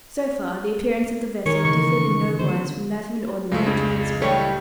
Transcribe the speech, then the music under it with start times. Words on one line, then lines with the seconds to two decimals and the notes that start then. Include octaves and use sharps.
So far the appearance of the vessel differed in no wise from that of an ordinary transport.
1.46 D#3 D#4 A#4 C#5
1.65 C#3 E3 C#6
2.39 D3 F3 B3 C5
3.52 C#2 G#3 A3
3.67 F2 D4 G#4
4.22 A2 G3 A3 C#5 G5 B6